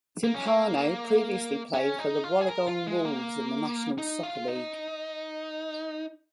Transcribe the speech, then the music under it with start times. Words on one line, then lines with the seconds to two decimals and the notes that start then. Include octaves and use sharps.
Timpano previously played for the Wollongong Wolves in the National Soccer League.
0.24 A#3
0.35 C#4
0.45 A#3
1.74 C#4
1.98 D#4
2.24 F4
2.41 G#4
2.48 A#4
2.67 F4
2.87 G#3
3.05 A#3
3.98 D#4
4.23 F4
4.48 D#4